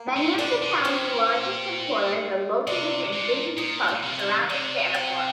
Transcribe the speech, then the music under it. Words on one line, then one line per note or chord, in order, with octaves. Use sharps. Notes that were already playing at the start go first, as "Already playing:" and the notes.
Many of the town's largest employers are located in business parks surrounding the airport.
Already playing: A#3
A#2
C3 D4
C3
A#2 C4
C3 D4
A#2
A#2 D#4
F4
C3
D#4
C3 D4
C4